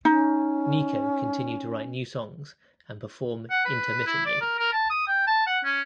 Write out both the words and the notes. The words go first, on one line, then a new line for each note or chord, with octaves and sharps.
Nico continued to write new songs and perform intermittently.
C#4 D#4
F#5
B4
E4
D5
A#4
A#4
A5
D#6
G5
A5
F#5
C#4